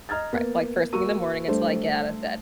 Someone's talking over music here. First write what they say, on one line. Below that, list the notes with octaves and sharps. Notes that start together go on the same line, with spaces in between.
ri like, first thing in the morning until I get out of bed
D#5 A#5 F6 G#6 A6
A#3 B3 A#4
A#3 F#4 C#6 E6 D#7
G3 A3 D4 C5